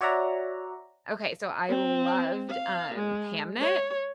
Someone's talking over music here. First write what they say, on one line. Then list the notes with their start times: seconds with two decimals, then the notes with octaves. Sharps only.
Okay, so I loved, um, Hamnet.
0.01 F#4 C#5 D5 E5 F#5 A#5
1.69 C4
2.49 F5
2.95 G#3
3.61 C#5